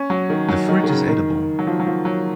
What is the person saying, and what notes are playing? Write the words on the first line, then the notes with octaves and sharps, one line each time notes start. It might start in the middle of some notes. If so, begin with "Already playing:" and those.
The fruit is edible.
Already playing: C#4
F#3
D#3
F#3
D#3
D#3
C#3
D#3
F#3
F3
F#3
F3
F#3